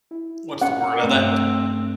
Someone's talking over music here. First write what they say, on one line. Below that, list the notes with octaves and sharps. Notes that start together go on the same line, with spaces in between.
What's the word uh, that
E4
C#4 F#5 C#7
G2 A3 C4